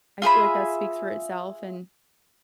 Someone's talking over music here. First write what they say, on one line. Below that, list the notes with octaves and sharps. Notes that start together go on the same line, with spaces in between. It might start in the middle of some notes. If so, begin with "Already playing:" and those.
I feel like that speaks for itself, and
F4 G#4 E5 B5